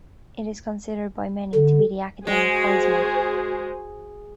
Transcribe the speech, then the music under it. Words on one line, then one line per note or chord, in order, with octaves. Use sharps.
It is considered by many to be the Academic Heisman.
D3
G#3 F#4 G#4 C5